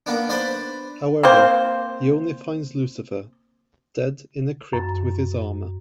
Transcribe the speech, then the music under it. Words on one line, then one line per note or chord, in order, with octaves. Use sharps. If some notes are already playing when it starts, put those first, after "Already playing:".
However, he only finds Lucifer, dead in a crypt with his armor.
A#3 B3 D4
D4 B4 C5 D5 B5
A#3 C4 C5
F#2